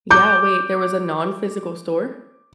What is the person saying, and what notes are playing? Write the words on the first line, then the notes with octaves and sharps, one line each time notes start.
Yeah, wait, there was a nonphysical store?
D6 G6